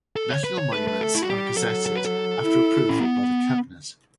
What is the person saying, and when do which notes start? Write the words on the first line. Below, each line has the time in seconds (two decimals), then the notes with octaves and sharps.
National Monuments are gazetted after approval by the cabinet.
0.16 A4
0.31 C#5
0.44 B4
0.58 C#5
0.73 A3 B4
0.87 B4
1.01 A4
1.15 E4
1.22 F#4
1.29 G3 G4
1.57 F#3 A4
1.86 A4
1.96 B4
2.05 A4
2.42 E4
2.89 C#4
3.00 B3